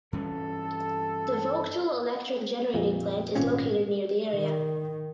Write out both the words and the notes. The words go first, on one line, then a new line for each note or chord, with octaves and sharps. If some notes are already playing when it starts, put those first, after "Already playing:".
The Vogtle Electric Generating Plant is located near the area.
G2 E3 C#4 A4
F2 A#2
G#1 A#2 C4 C#4
D#3